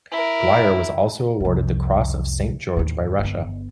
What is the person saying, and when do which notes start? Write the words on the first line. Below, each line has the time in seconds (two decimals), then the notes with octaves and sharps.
Dwyer was also awarded the Cross of Saint George by Russia.
0.11 E4 A#4
1.40 C2 F2
2.76 D#2 A2
3.19 G1 B3